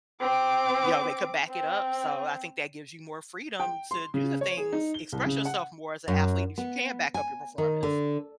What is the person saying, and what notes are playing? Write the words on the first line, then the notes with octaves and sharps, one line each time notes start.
you know, they could back it up, so I think that gives you more freedom to do the things, express yourself more as an athlete if you can back up your performance.
C4 D6
C4
G5
C6
C#3
C#5
G#4
D#4
G7
C2
C#3
F#5
F#2
B3
G#5
D#3
D3